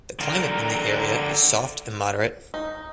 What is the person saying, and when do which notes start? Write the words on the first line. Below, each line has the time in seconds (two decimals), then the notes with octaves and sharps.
The climate in the area is soft and moderate.
0.19 D3 A#4
2.54 D#4